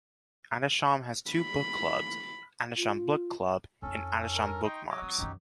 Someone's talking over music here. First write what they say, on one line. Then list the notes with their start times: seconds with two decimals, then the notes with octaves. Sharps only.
Adisham has two book clubs: Adisham Book Club and Adisham Bookmarks.
1.31 B5
2.77 F4
3.82 F2 C#4 D#4 A4
4.35 A#4
4.63 D#4 G5 C6 C#6
4.90 F#3 C#5 D#5 D6
5.02 C4 D#6
5.18 F#2 D#3 D#4 G4